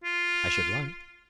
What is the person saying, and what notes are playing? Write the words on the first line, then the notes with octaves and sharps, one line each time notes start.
"I should like."
F4